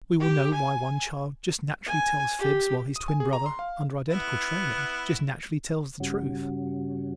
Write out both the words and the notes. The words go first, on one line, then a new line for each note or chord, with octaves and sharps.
We will know why one child just naturally tells fibs while his twin brother, under identical training, just naturally tells the truth.
G4
G#5
G#5
G4
D#6
G#5
G#4
A#5
C6
F5
B3 E4
G2 C#3 G3 C#4 F#4